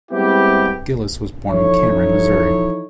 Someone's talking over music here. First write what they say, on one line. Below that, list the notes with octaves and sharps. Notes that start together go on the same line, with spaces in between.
Gillis was born in Cameron, Missouri.
G3 G#3 B3 C4 E4 G4
E3 F3 D#4 E4 A4 C#5